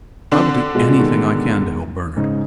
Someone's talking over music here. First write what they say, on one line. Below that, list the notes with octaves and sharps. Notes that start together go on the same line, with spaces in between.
I will do anything I can to help Bernard.
D3 C4 D4
B2 G#3 F4
B2 D#3 G#3
G#2 C#3 D#4